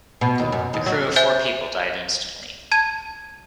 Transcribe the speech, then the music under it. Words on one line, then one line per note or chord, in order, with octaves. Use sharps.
The crew of four people died instantly.
B2
D#2
F#2
D#2
F#3
C5 E5 G#5 G6
A5 G#6 D#7